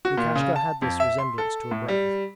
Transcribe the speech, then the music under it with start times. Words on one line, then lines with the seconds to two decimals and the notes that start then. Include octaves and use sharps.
Lukashka had this resemblance to a brave.
0.05 F#4
0.18 A#2
0.35 C#3
0.56 A5
0.82 F2
1.00 E5
1.18 C6
1.38 A4
1.71 A2
1.88 G3